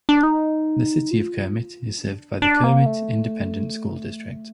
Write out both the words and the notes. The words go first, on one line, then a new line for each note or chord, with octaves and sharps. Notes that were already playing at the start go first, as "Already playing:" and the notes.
The City of Kermit is served by the Kermit Independent School District.
D4
D#4
F4
D4
D4
A#3
A3